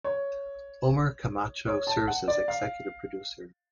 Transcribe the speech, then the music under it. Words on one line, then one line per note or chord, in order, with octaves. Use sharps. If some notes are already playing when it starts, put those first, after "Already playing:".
Omar Camacho serves as executive producer.
C#5
C#5
A5
F#5
D5
F5